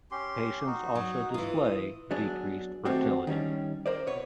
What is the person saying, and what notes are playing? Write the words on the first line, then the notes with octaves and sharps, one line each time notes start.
Patients also display decreased fertility.
C#4 G4 C6
D#4 F#4
F#3
E3 F4 D#6
F#3 B3 D4 G#4
D#2 A3 C4 F#4 G4
D#3 G3 C#4 D4
A#4 C5 D5
B2 B4 C#5